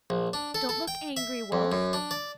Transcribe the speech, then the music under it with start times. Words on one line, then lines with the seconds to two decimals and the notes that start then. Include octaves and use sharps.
Don't look angry, Wulf.
0.10 A#1
0.33 D4
0.55 A4
0.69 A4
0.88 G5
1.17 E5
1.52 F2
1.72 F#2
1.93 D4
2.11 D5